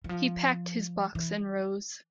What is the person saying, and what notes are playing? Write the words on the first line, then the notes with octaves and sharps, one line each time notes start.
He packed his box and rose.
E3
F3
E3